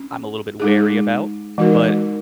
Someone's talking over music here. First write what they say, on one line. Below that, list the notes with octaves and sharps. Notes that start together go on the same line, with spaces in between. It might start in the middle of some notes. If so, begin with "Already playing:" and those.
I'm a little bit wary about, but
Already playing: C#4
G#3 D#4 G#4
E3 G#3 D#4 F#4 A#4